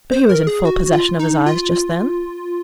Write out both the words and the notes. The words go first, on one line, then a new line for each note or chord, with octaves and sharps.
"But he was in full possession of his eyes just then?"
C5
A#4
G#4
F#4
F4
D#4
F4